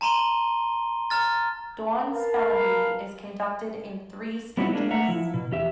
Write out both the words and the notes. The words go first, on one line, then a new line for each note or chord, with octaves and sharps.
Dawn Spelling Bee is conducted in three stages.
A5 A#5 C6 D#7 G7
A#5 F6 A6
A#4 B4 F5 A5
G3 B3 C4 D#4 E4 F#4
G#3 A#3 D4
A3 E5 F#5 A#5
F3 E4
B2
E2 G4 E5